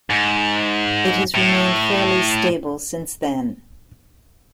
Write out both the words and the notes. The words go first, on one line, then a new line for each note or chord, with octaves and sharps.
It has remained fairly stable since then.
G#2
A2